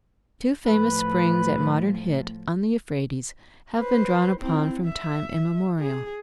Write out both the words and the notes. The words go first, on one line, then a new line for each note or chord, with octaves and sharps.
Two famous springs at modern Hit, on the Euphrates, have been drawn upon from time immemorial.
A2 F3 B4
B4 C5
C4 E4
E5
G#4